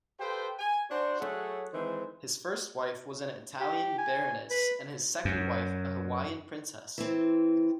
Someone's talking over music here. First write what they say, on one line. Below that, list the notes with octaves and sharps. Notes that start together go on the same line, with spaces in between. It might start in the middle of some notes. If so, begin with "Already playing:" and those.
His first wife was an Italian Baroness and his second wife a Hawaiian princess.
G4 A4 B4 C5 F5 G5
G#5
D4 F#4 C5
F#3 A3 G#4 A4 C#5 F#5
D#3 E3 G#3 C4 C5
G4
G#5
B4
F#2
E3 C4